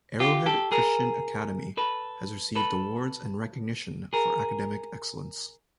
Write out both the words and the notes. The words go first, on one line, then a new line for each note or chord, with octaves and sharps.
Arrowhead Christian Academy has received awards and recognition for academic excellence.
F4 G4
G4 A4
G#4 A#4
A4 B4
A4 B4
G#4 A#4